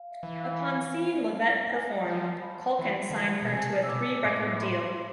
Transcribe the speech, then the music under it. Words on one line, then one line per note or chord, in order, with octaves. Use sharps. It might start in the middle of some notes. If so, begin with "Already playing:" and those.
Upon seeing LaVette perform, Kaulkin signed her to a three-record deal.
Already playing: F5
E5
E3
F5
G#5
B5
A5
G#5
F3 A5
B5
E3 B5
D3
E3 A5
B2
C3 G#5
C3 E6
B2 D6
A2 D6
C6